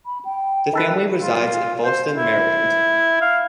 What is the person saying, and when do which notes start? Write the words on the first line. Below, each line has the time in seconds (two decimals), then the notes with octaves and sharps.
The family resides in Fallston, Maryland.
0.06 B5
0.25 G5
0.73 D#3 A4 B4
1.20 F4
1.84 C5
2.15 E4
3.21 F5